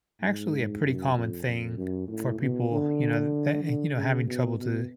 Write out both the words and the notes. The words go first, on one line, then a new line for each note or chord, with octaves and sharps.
actually a pretty common thing for people, you know, that, eh, you know, having trouble to
G#2
F#2
F2
F2
F#2
A2
B2
D3
D3
C#3
B2
B2